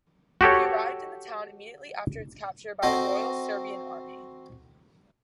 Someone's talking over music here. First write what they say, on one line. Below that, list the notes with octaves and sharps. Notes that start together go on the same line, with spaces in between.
He arrived in the town immediately after its capture by the Royal Serbian Army.
F#4 G4 A4 C#5
C4 F#4 A4 C5 D#5 G5